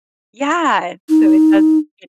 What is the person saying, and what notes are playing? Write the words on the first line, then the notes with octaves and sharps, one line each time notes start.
Yeah, so it has e
D#4